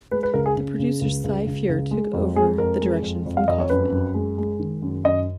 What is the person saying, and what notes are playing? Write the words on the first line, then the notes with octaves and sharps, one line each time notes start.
The producer Cy Feuer took over the direction from Kaufman.
G#3 B4
B4
C#2 A#4
G#4
C#3
C#3
C#2
C#2
C#2
C#2
G#3
F2
G#3 G#4
F2 A#4
G#3
F2
F2
F5
F2 D#5
C#5
F#2 B4
F#2
G#3
G#3
D#3
F#2
F#2 D#5